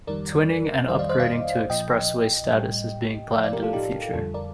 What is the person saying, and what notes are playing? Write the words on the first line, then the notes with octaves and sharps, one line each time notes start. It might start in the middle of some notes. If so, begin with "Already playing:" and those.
Twinning and upgrading to expressway status is being planned in the future.
F2 D#3 G3 A#4 D5
F2 D#3 G3 C5 D#5
D5 F5
C5 D#5
D5 F5
A#2 F3 D#5 G5
A2 G3
A2 F3 D5 F5
D5 F5
G4 A#4
F4 A4
D#4 G4
F2 D3 G3 F4 A4
A#4 D5